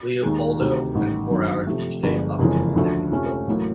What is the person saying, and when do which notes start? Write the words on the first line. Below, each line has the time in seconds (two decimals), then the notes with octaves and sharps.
Leopoldo spent four hours each day 'up to his neck in books'.
0.22 D#2 D#3 G#3
0.59 D2 C3 D#3
0.95 A1 G#2 D#3 G3
1.31 G1 F#2 D#3 F#3
1.67 C3 F3 A3
2.03 G1 G2 D3 F3 G#3
2.39 F#1 F2 C#3 E3 G#3
2.75 D2 D3 F3 A3
3.11 F2 C3 F3 A3 C#4
3.47 A1 A2 F#3 A#3